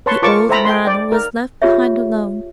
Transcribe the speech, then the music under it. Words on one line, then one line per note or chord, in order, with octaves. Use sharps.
The old man was left behind alone.
B4 C#5 A5 C6 C#6
F4 A#4 A5 C#6 D6
A4 C5 E5 G5 A#5 B5
G5 C6
D5 G5
A#4
F4 G4 G#4 C#5 E5